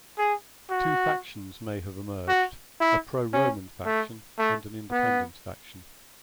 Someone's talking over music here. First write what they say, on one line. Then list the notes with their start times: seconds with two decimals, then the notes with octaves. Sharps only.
Two factions may have emerged: a pro-Roman faction and an independence faction.
0.18 G#4
0.70 F#4
2.28 F#4
2.81 E4
3.33 C#4
3.86 A3
4.39 A3
4.91 B3